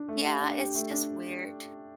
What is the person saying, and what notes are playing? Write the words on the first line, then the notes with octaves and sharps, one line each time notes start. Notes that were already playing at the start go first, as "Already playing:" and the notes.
Yeah, it's just weird,
Already playing: D4
A3
G4
D4
G4
A3
D4